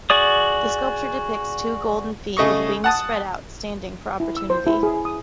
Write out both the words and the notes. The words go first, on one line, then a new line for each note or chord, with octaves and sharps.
The sculpture depicts two golden feet with wings spread out, standing for opportunity.
F#4 G#4 D5 D#6
C#3 A3 D#5 C#6
F#5 A5 D#6
E4
E6
C5
E4
G#4
D#6